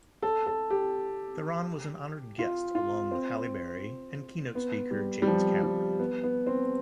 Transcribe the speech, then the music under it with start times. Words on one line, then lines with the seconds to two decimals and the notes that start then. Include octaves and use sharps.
Theron was an honoured guest along with Halle Berry and keynote speaker James Cameron.
0.22 A4
0.46 A4
0.70 G4
2.39 F4
2.75 F4
3.11 C4
4.55 B3
4.91 G3
5.22 G3
5.27 F3
5.63 G3
5.99 B3
6.23 B3
6.47 C4